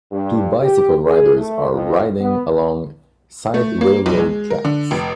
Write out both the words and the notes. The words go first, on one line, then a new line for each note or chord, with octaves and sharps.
Two bicycle riders are riding along side railroad tracks.
G2
G4
G#4
A3
F2
B3
A3
A#3
B1
G#3
A#4
D3
F1